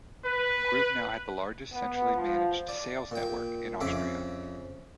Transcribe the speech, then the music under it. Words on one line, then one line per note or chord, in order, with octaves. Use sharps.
Group now had the largest centrally managed sales network in Austria.
B4
B3
F3
D5
A#2 G5
F2 C#3 E5 D6